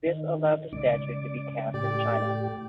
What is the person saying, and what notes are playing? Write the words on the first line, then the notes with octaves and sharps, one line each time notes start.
This allowed the statue to be cast in China.
D#3
C#3 G#3 C#4 D5
A2 G4 D5